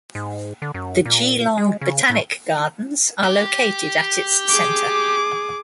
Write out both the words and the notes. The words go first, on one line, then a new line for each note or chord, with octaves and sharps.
The Geelong Botanic Gardens are located at its centre.
G#2
D3
F#2
A#2
G#3
C#3
A2
G4
G#4 D6